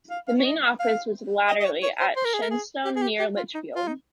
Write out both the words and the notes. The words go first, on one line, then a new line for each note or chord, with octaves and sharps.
The main office was latterly at Shenstone near Lichfield.
F5
F5
C#5
D#5
F5
D#5
D#5
C#5
C#5
C5
C5
A#4
G#4
A#4
G#4
G4
G#4
G4
G4
F4
D#4
F4
D#4